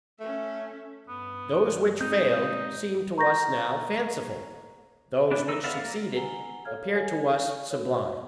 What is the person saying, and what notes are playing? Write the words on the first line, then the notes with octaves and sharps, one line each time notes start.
Those which failed seem to us now fanciful, those which succeeded appear to us sublime.
A3 C#4 E5
G2 B3
G#3 C4 D#4 G6
A#5 C#6 G6 A#6
E3 B3 D4
E3 D#4 E6
B3 D5 E5 F5
A#3
F#5 G#5 A#5 G7
A4 C#5 F5 F6 G#6
A4 C#5 G#5
F#4 C#5